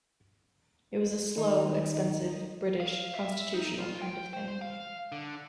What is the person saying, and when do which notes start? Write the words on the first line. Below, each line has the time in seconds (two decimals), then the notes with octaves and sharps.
It is a slow, expensive, British, constitutional kind of thing.
1.38 D#3 D#4
2.80 F5
3.15 E5
3.54 D#4
3.79 F4
4.02 G5
4.33 C5
4.62 F5
5.12 D3